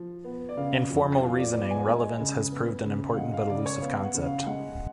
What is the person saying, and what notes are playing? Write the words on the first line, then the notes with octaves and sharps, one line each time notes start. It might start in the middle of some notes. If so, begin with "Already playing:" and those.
In formal reasoning, relevance has proved an important but elusive concept.
Already playing: F3
B3
D5
C#3 F5
F2
F3 F5
D5
B3 D5
G#5
G#3
C#3
B3
C#3
F5
G#3 F#5
F5
C#3 D5
C#5
B3 F5
F#5
C#3
F5
G#3 F#5